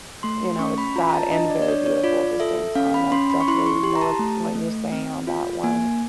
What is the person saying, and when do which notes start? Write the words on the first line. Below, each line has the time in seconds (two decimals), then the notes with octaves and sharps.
you know, it's sad and very beautiful at the same time. I definitely know what what you're saying on that one,
0.23 A3 C6
0.59 C#4 C#6
0.78 B5
0.96 F4 A#5
1.09 A#5
1.14 A5
1.31 D4 D#5
1.50 D5
1.62 D5
1.68 D4 C#5
1.86 C#5
2.04 F4 D5
2.40 A4 E5
2.75 C#4 F5
2.94 B5
3.12 C#4 C6
3.30 B5
3.41 C#6
3.48 E4 C6
3.66 C#6
3.83 G4 C6
3.96 A#5
4.01 A5
4.19 A3
4.56 A3
4.92 C4
5.27 F4
5.64 A#3 G#5